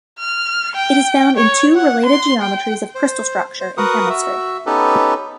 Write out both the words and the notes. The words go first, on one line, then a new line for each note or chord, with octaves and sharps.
It is found in two related geometries of crystal structure in chemistry.
F6
G5
C#5
F#5
C6
G5
C5
C5
F#4 A#4 B4 F#5 D#6
F#4 E5
B3 C#4 D#4 G4 A4 B4